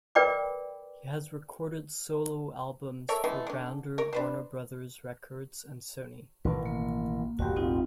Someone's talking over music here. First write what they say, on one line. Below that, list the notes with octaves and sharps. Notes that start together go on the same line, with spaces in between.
He has recorded solo albums for Rounder, Warner Brothers Records, and Sony.
A#4 B4 D5 G5 B5 D6
A4 A#4 C#5 E5
E3 G#3 A3 B3
D3 C#4
A#4 C#5
D4 B4 C5
A1 B2 D#3 B4
A#3
E1 A1 A2 F#4 G4
C4 D#4 F4